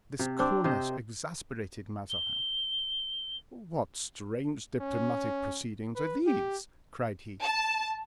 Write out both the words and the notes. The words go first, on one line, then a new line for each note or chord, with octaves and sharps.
This coolness exasperated Mazarin. "What strange diplomatic proceedings are these!" cried he.
C3
C4 D4
C3 C5 D#5
G7
C#4
B4
G4
A5